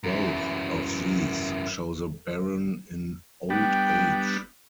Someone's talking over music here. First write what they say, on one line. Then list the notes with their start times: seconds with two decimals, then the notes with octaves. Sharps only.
Both of these show the baron in old age.
0.04 F#2 E3
3.50 G3 B3 D4 G5